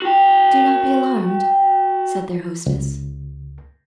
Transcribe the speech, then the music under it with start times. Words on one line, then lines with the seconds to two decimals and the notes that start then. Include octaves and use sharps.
"Do not be alarmed," said their hostess.
0.02 F#4 G5
2.66 C#2